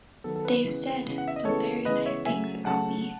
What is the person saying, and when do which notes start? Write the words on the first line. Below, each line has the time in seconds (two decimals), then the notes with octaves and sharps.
They've said some very nice things about me.
0.24 D#3 F#3 B3 A4
0.36 A4
0.45 B4
0.64 C#3 E3 G#3 B3
1.05 C#3 E3 G#3 B3
1.18 F#5
1.28 E5
1.36 D#5
1.45 C#3 E3 G#3 B3 A4 C#5
1.85 C#3 E3 G#3 B3 B4 D#5
2.06 C#5 E5
2.26 C#3 F#3 A3 E5 G#5
2.66 C#3 F#3 A3 F#5 A5